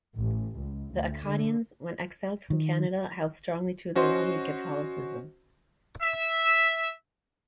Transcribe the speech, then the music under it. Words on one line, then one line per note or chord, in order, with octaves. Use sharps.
The Acadians, when exiled from Canada, held strongly to their Roman Catholicism.
A1
C#2
D2
D3
D#3
C#4 F#4 C5 D#5 C6
E5